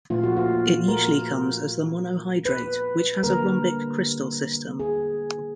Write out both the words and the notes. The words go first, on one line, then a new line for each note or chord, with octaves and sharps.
It usually comes as the monohydrate, which has a rhombic crystal system.
A#2 F3 A3 F4
F#4
F4
A#4
B4
D3 G3 A#3 A#4
G#4